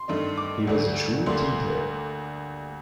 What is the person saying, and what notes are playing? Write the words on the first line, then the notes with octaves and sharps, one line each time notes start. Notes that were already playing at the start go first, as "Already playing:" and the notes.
He was a true team player.
Already playing: C6
G2 D#3 A3 D4
D6
D2 D3 A3 D4
D2 D3 G3 A#3 C6